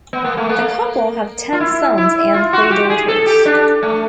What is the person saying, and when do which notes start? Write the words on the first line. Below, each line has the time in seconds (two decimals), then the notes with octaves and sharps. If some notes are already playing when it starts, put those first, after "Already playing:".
The couple have ten sons and three daughters.
0.13 B3
0.25 A#3
0.37 A3
0.49 A#3
1.53 F4
1.60 E4
1.98 E4
2.34 F4
2.53 F#4
2.71 G4
2.90 G#4
3.08 A4
3.26 G4
3.45 D4
3.83 A3